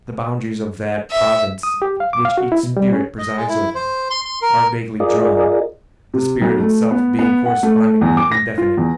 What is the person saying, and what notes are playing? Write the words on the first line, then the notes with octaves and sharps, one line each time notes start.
The boundaries of that province which each spirit presides over are vaguely drawn, the spirit itself being correspondingly indefinite.
E5
D#6
G4
F5
D6
F5
F#4
E4
B2
G3
C#4
D#5
G#3
E4
C5
C6
C6
A#4
F4 G#4 A#4 D5 D#5
C3
B1
A3
B3
B3
F#5
A3
E2
D6
A#6
F4
E2